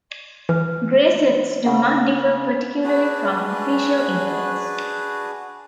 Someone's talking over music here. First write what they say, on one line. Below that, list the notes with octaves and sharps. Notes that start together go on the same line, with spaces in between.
Grey sets do not differ particularly from official imports.
E3 B4
C#3 F#5
D4 F#4 G#4 B4